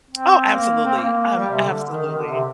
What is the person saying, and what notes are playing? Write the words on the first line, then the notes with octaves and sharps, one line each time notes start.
Oh, absolutely, um, absolutely.
C4
A#3
C4
A#3
G3
C3
D3
D#3
D#3
D3
C3